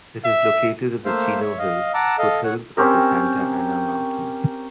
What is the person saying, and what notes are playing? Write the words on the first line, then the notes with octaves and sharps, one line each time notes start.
It is located in the Chino Hills, foothills of the Santa Ana Mountains.
E5
A3 A#3 C5 E5 F5 E6
C#5 E5
D#5 F5
F#5 A5 A#5 D6 E6
A4 D#5 F5
C#5 F#5
C4 C#4 G4 A#4